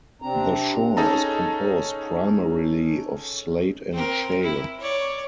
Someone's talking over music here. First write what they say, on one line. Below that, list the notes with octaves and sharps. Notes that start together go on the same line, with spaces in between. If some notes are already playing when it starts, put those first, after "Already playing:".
The shore is composed primarily of slate and shale.
C3 C4 D4 A#5
C#4 D#4 G#4 A4 A5 A#5
C4 A#4
E4
C#5 D5